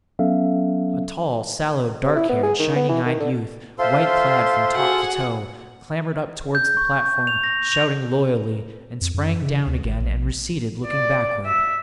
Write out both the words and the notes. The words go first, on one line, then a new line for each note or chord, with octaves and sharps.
A tall, sallow, dark-haired, shining-eyed youth, white clad from top to toe, clambered up towards the platform shouting loyally, and sprang down again and receded, looking backward.
F#3 B3 C#4 A4 E5 F5
C3
E4
B3
G#4
D#3
B3
E3
D#3
D3
F4 A4 C5 E5 F5 C6
F#4 G#4 F#5
G6
C#6
G6
F7
A#6
F7
F2
F#2
C#3
D2
G#1
A#1
D5
E5